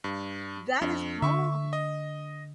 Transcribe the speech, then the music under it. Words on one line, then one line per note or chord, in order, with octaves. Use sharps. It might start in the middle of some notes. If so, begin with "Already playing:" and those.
that is wrong.
G2
F2 D4
D3 E5 C#6
D#5